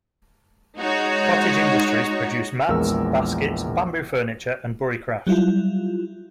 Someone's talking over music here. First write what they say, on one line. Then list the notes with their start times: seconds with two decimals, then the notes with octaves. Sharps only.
Cottage industries produce mats, baskets, bamboo furniture, and buricraft.
0.78 G#3 D#4 F#4 C#5
2.68 A#1 E2 G#3 A#4 E6
5.27 F#3 G3 E4 F4